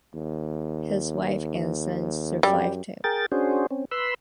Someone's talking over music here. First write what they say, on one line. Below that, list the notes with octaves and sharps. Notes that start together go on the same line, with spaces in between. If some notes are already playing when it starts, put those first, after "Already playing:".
His wife and sons survived him.
D#2
F#2 G3
G#4 A#4 G5 A6
C#4 D4 F#4 G#4 C5
C4 C#4
B4 B5 C6 E6